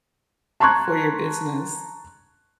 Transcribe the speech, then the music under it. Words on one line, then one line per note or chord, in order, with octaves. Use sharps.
For your business.
A5 A#5 C6 C#6 F#6 G#6